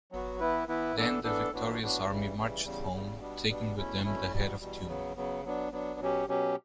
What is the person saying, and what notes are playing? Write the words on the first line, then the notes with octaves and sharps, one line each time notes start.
Then the victorious army marched home taking with them the head of Teumman.
F#3 B3 F#4
E3 B3 E4 B4
E3 B3 E4 B4
E3 B3 D4 A4
E3 B3 D4 A4
A2 E3 B3 D4 F#4
A2 E3 B3 D4 F#4
C#3 E3 G3
C#3 E3 G3
E2 C#3 G3
E2 C#3 G3
B2 G3 B3 D4
B2 G3 B3 D4
E2 B2 A3 C#4 E4
E2 B2 A3 C#4 E4
E2 B2 G3
E2 B2 G3
C#3 F#3 B3
C#3 F#3 B3
F#3 B3 D4
F#3 B3 D4
B2 F#3 C#4 G4
B2 F#3 C#4 G4